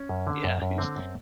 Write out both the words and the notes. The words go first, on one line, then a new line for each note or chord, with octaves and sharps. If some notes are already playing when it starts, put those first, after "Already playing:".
Yeah, he's
Already playing: C#4
F#2
D3
F#2
F#2
D3 C4
F#2